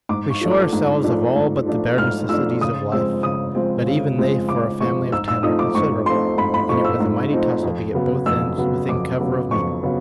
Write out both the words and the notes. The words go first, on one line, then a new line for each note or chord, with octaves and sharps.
We shore ourselves of all but the bare necessaries of life, but even they for a family of ten are considerable, and it was a mighty tussle to get both ends within cover of meeting.
G#2 D6
C#6
F3 A3 D4
D6
G#2
F3 A3 D4
G#2
F3 A3 D4
G#2 F6
F3 A3 D4 E6
C#3 D#6
F3 G#3 C4 E6
C#3 D#6
F3 G#3 C4
C#3
F3 G#3 C4
C#3 D6
F3 G#3 C4 C#6
G#2 E6
E6
F3 A3 C4 D#4 D#6
D6
G#2 C#6
F3 A3 C4 D#4 C6
G#2 B5
B5
F3 A3 C4 D#4 C#6
E6
G#2
F3 A3 C4 D#4
F2
C#3 F#3 B3
F2 E6
C#3 F#3 B3
F2 D6
C#3 F#3 B3
F2 C#6
C#3 F#3 B3